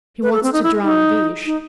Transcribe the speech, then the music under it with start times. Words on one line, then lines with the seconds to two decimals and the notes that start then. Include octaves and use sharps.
"He wants to drown Guiche."
0.22 B4
0.33 A4
0.43 C4
0.53 D#4
0.63 E4
0.84 D#4
1.46 D#4